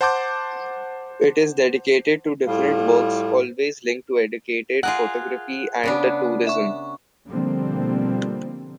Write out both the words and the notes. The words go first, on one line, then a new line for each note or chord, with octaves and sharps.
It is dedicated to different works, always linked to educated, photography and the tourism.
C5 F#5 A5 C6 D6 G6
A2 G3 F4
F4 G#4 A#4 F#5 F#6
C#3 B3 D4
E5 C#6
B2 D3 F3 G3 A#3 C4